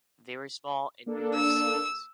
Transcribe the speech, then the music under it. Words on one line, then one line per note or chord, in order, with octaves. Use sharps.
Very small and numerous seeds.
A#3 D4 A4
E6